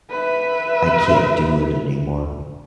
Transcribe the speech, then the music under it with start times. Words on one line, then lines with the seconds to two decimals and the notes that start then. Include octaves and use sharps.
I can't do it anymore.
0.11 B4 E5